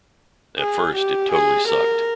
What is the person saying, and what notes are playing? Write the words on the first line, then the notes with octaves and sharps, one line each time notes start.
At first it totally sucked.
G#4
G4
G#4
A#4